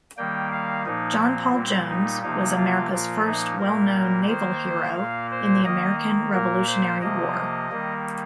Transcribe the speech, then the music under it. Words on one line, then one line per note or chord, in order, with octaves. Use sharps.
John Paul Jones was America's first well-known naval hero in the American Revolutionary War.
D#3 G3 A#3 G5
F5
A#2 F3 A#3 D#4
C4
A#2 G3 A#3
D#4
C3 F3 A#3 D#4
F4
A#2 F3 A#3 F4
D#4
A#2 G3 A#3 A#4
D#3 A#3 C5
A#2 A#3 F5
C5
D#3 A#3 D#5
A#2 A#3 A#4
C5
C3 F3 A#3 D#5
D#3 G3 A#3